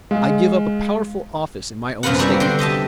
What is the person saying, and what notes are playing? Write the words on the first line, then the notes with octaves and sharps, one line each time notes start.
I give up a powerful office in my own state.
G#3 F5
F#2 C3 B3 F4 B4 F#5
G3 D#4 F#4 D5 E5
D3 C5 C6
G4 D#5 E5 A5